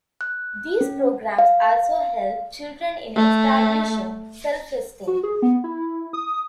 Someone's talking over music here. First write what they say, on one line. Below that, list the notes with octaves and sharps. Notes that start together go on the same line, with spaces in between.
These programs also help children in establishing self-esteem.
F#6
C#4
F5
A3
F#4
G#4
B3
E4
D#6